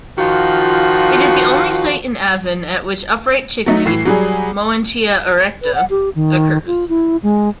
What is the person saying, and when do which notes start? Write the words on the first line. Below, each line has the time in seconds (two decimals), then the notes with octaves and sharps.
It is the only site in Avon at which Upright Chickweed "Moenchia erecta", occurs.
0.18 D#3 F3 F4 F#4
3.66 F#3 A3 D#4
3.86 A2 E3 C7
4.05 F#3 G3 G#4
5.62 B4
5.75 F#5
5.90 G4
6.15 D#3
6.67 F4
6.89 E4
7.23 G#3